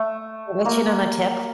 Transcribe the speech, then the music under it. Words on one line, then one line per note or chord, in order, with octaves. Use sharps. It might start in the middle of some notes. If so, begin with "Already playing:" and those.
let you in on a tip.
Already playing: A3
A#3